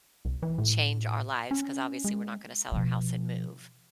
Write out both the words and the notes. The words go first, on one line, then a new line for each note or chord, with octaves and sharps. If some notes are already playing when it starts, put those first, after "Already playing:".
change our lives 'cause, obviously, we're not gonna sell our house and move,"
C2
E3
A2
C#4
G#3
B2 F3